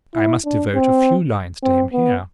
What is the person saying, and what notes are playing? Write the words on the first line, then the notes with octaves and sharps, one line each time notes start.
I must devote a few lines to him here.
E4
D4
C4
C4
B3